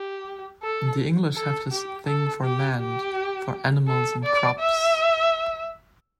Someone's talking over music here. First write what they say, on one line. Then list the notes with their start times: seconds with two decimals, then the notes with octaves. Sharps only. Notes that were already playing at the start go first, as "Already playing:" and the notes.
The English have this thing for land; for animals and crops...
Already playing: G4
0.63 A4
1.35 A4
1.71 G4
2.07 A4
2.43 G4
2.80 G4
3.87 A4
4.24 D5
4.59 E5